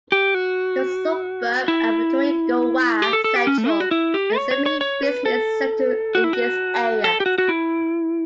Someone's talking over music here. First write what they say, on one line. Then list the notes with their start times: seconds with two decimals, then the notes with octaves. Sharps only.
The suburb of Thuringowa Central is the main business centre in this area.
0.12 G4
0.34 F#4
1.68 E4
3.02 G4
3.13 A4
3.24 A4
3.36 G4
3.47 C#4
3.58 A3
3.69 E4
3.80 F#4
3.91 E4
4.14 G4
4.36 C#5
4.51 C#5
4.66 C#5
4.81 C#5
5.03 B4
5.26 A4
6.15 F#4
6.24 E4
6.33 F#4
7.04 A4
7.20 G4
7.26 F#4
7.38 F#4
7.49 E4